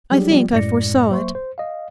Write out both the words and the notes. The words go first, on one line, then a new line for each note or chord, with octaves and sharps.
I think I foresaw it.
F#3 G3 D4 G4 G#4
F3 G3 B3 F4
F#2 A2 G#3 D5 A#6 C#7
F#3 A#3 C5 E5 C6 C#6
C5
D#5 F5